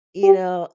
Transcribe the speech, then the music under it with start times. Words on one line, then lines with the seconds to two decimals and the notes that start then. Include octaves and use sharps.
you know,
0.23 G4